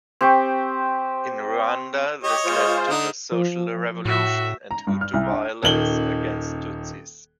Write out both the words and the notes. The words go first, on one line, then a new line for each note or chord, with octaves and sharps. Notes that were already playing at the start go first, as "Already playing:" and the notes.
In Rwanda, this led to the "Social revolution" and Hutu violence against Tutsis.
C4 G4 G5 C#6
G4 C#5 D#5
G#3 F4 C5
D3 D#4 D#6
F3
A2 F#4 E5
A#5
G2
F6
C2
D4
D#1 D#3 F#7 G7